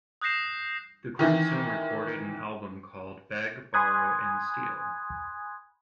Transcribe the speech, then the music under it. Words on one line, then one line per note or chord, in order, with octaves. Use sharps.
The group soon recorded an album called "Beg, Borrow and Steal".
D#6 F#6 G6 A#6 C7 E7
D#3 E3
G#5 B5 C6 D#6 F#6 G#6